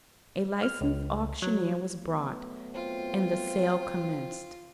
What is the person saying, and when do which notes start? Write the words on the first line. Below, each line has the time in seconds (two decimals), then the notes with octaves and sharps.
A licensed auctioneer was brought, and the sale commenced.
0.63 F6
0.81 C#2
1.42 F#3
2.00 F#3 A3 B3
2.74 C4 F4